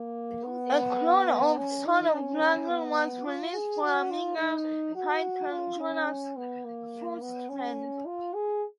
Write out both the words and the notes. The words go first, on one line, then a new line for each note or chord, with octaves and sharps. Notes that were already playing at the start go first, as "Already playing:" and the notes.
A clone of "Son of Blagger" was released for Amiga, titled "Jonas Fulstrand".
Already playing: A#3
B3
C#4
D#4
C#4
B3
F4
G#4
F#4
F4
D#4
F#4
F4
C#4
B3
A#3
B3
C#4
F4
G#4